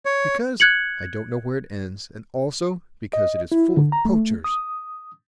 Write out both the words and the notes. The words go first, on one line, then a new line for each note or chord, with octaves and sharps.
"Because I don't know where it ends; and, also, because it is full of poachers."
C#5
F#6 G#6 C#7 F#7
D#5
E4
D3
A#5
A3
D#6